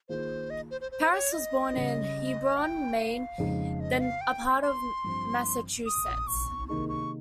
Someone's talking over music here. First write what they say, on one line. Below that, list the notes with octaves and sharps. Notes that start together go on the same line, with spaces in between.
Parris was born in Hebron, Maine, then a part of Massachusetts.
D#3 A#3 F4 G#4 C5
D#5
C5
C5
C5
C#5
D#5
C#3 G3 C#4
G5
F5
F2 C#3 G#3 D#4
D#5
F5
G5
C6
G2 F3 C4
D#6
C#6
C3 D#3 A#3 D#4 G#4 C#6
C#6